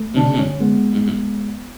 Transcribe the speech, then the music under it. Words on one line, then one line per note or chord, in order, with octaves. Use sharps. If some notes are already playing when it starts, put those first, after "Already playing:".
Mhm. Mhm.
Already playing: A3
D3 D4
C#4
G#3 B3